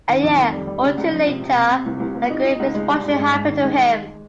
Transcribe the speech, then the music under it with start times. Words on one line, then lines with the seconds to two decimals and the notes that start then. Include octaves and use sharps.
A year or two later a great misfortune happened to him.
0.09 D#3
0.23 F2
0.38 F2
0.53 G3
0.67 G3
0.83 C#3
0.97 C#2
1.11 F3
1.27 C3
1.42 C3
1.56 C3
1.71 C3
1.86 C2
2.00 C2
2.15 C2
2.30 D#4
2.45 D#4
2.59 C#2
2.75 G#3
2.89 G3
3.04 G#2
3.18 G#2
3.33 G#2
3.48 D#3
3.63 G#3